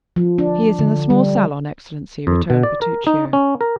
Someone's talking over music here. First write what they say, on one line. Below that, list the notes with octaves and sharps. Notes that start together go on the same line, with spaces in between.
"He is in the small salon, excellency," returned Bertuccio.
F3
D4
D3
G3
F2
B2
D5
A#4
D#4
C#4
A#4